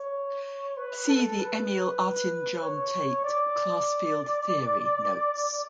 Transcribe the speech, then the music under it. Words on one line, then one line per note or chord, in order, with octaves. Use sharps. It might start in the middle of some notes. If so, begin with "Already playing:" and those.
See the Emil Artin-John Tate "Class Field Theory" notes.
Already playing: C#5
B4
A4
B4
C#5
D5